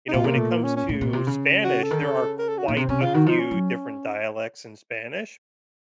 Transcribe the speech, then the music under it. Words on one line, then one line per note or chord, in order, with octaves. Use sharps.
you know, when it comes to Spanish, there are quite a few different dialects in Spanish.
D#4
A#2 F4
C3 A#3
A#2 A3
A#3
C#4
C#4
A2
A#2
C3
C#3
F#4
A4
D#3
C#3
A#4
A4
F#4
A#2 D#4
C3 C4
C3 C#4
C#3 F4
D#3 F#4
F3 D#4
C#4
F#3